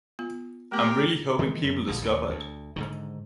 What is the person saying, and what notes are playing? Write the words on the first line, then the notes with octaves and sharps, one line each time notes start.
I'm really hoping people discover it.
B3 F4
A3 B3 G4 A#4
D#3 E3 G#3
F#2
A#1 B2 D3
D#2 C#3
D2
G#2 D3 D#3